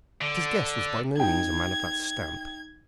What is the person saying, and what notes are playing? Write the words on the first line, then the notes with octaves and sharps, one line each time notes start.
But his guest was by no means a man of that stamp.
D3
D#4 G5 G#6